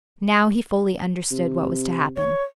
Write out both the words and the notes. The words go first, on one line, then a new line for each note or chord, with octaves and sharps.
Now he fully understood what was to happen.
C3
C#5